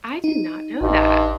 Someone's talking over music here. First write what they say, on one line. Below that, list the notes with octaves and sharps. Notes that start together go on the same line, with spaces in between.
I did not know that.
D#4
A1 G2 D#4